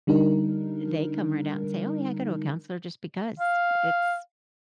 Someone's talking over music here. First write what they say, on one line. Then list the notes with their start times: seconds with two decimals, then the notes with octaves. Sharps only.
they come right out and say, “Oh, yeah, I go to a counselor just because,” it's,
0.07 D3 G3 D4 D#4 A#4
3.40 F5